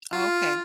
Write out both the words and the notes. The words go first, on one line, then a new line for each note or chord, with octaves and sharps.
Oh, okay.
F4